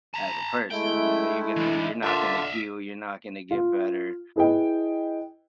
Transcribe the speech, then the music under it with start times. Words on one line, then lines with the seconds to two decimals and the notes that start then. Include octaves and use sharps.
as a person, you know? You're gonna you're not gonna heal. You're not gonna get better.
0.14 A5 A#5
0.71 G#3 A3 E4 G5
1.56 E3 D4
2.02 D3 A#3 F4 E5 F5 A5
3.51 F4
4.36 E4 G#4 B4 D#5 G5